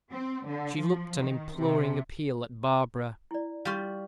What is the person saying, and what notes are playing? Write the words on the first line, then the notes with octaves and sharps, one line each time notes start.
She looked an imploring appeal at Barbara.
C4
D3
F3
D#3
C3
E4 D5
G3 F4 F5 C#6